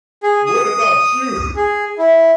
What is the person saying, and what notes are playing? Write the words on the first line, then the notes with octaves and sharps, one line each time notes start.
What about you?
G#4
D#6
G#4
E4